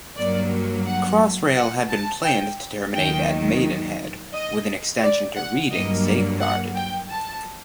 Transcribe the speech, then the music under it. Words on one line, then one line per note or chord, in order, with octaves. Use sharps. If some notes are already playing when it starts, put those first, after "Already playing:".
Crossrail had been planned to terminate at Maidenhead, with an extension to Reading safeguarded.
G2 F#3 A#3 D5
F#5
F#5
A5
G5
D#2 D#3 F#3 G5
D#5
D5
F#5
G2 F#3 A#3 D#5
D5
F#5
G5
A5